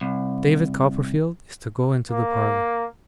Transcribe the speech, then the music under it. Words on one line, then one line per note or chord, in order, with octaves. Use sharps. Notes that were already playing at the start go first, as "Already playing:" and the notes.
'David Copperfield is to go into the parlour.'
C2
A#3